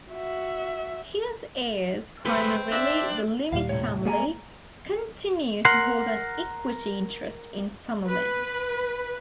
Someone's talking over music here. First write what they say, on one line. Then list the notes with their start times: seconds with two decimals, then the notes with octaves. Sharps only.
Hughes' heirs, primarily the Lummis family, continue to hold an equity interest in Summerlin.
0.11 F#4 E5
2.25 G#3 A3 C4 B4
2.72 D4 E5
3.52 D#2 A#2 G3 F5
3.69 A2 C3 C#5
4.05 G3 G#3 A#3 D5 G#5 A#5
5.65 A#4 F#5 C6
8.06 B4